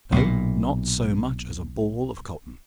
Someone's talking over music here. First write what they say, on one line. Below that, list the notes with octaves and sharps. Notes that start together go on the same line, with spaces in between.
No--not so much as a ball of cotton.
B1 A#2